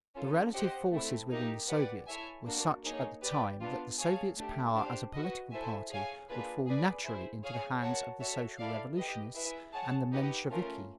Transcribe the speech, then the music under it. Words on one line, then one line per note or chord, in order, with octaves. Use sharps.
The relative forces within the Soviets were such at the time that the Soviet's power as a political party would fall naturally into the hands of the Social-Revolutionists and the Mensheviki.
C#4 F4 A4
G4 C5 D#5 F#5
A3 C4 E4
A#3 D#4 G4
G4 B4 D5 F#5
E4 A4 C#5 E5 G#5
A#3 D4 F#4
A#3 D#4 G#4 C#5
G4 B4 D5 G5
B3 D4 F4
G#4 C#5 F5 A5
A3 D4 G4
D4 G4 C5 F5
F#4 B4 D#5
E4 A4 C5 E5 G#5
G#4 C#5 F5 G#5
A#3 D4 F4 G#4 B4
G#4 B4 D5
E4 G#4 C5
G#4 C#5 F5 G#5
F#4 A#4 C#5 F#5 A5
F#4 A4 C#5 E5
E4 A4 D5 F5
G4 B4 D#5
E4 G#4 B4 E5
G#4 C#5 F#5 A5
D#4 G4 B4 D#5 F#5
A3 C#4 F4 A#4